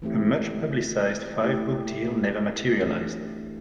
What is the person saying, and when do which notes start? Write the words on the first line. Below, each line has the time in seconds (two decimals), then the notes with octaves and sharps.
A much-publicised five-book deal never materialised.
0.02 E3 A3 C4 E4 G4
1.42 A3 E4 G4
2.81 E3 A3 D4 G4